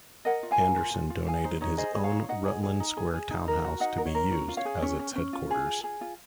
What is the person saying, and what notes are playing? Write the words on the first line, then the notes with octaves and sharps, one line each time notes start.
Anderson donated his own Rutland Square townhouse to be used as its headquarters.
A#4 D#5 F#5
F4
F5 G#5
A#4
F4
F4
F4
G#4 F5 G#5
D#4 C5
D#4 C#5
G#4 C5 D#5
G#4
C#5 F5
D#4
D#4 D#5 F#5
G#4
G#4
D#4
G#4
G#4
D#4
A#4
F#4
D#4 D#5 F#5
A#4
C#5
A#4
C#4 C#5
F4
C#5 F5
G#4
C#4 C#5
C#4
C#4
F4
G#4
F4
G#4
F4